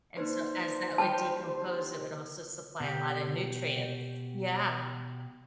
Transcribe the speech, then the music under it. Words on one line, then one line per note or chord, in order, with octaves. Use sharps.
and so as that would decompose it would also supply a lotta nutrients. Yeah.
A#3 D4 D#4 B4 C5
F3 G3 G4 A5
B2 G4